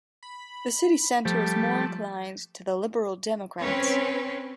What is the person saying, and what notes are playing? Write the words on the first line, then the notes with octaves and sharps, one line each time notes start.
The city centre is more inclined to the Liberal Democrats.
B5
F3 G3 A3
C4 C#4 B4 C#5